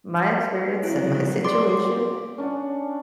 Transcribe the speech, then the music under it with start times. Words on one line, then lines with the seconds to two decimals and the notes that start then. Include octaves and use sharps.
my experience and my situation,
0.83 F#3 C4 E4
1.44 G4 D5 C6 D6
2.38 C#4 D4 D5 F#5